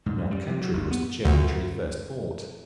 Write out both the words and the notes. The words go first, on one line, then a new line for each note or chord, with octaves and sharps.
From what country was the Cherry Tree first brought?
G#2
F#2
G3
C3
F#3
G1
B3
D2